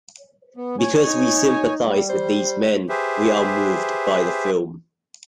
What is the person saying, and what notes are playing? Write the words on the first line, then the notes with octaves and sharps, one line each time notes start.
Because we sympathize with these men, we are moved by the film.
B3
C#5 G#5
D#4
G3
C5
G4 G#4 B4 C5 E5